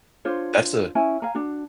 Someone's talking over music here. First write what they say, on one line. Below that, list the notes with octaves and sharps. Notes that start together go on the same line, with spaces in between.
That's a
D4 F4 C5 C#5
C#4 E4 G#5
F5 G#5 A#5
D4 F#4